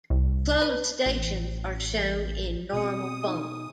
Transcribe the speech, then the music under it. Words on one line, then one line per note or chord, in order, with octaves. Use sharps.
Closed stations are shown in normal font.
C2
B4
A1
B2 C4 F#4 D#6 C#7
D#4 G#5